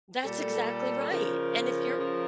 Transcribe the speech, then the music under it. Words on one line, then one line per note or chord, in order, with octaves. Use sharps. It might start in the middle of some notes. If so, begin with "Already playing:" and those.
That's exactly right. And if you're
A#2 G3 A4
C#3 F3 A#4
C#3 F3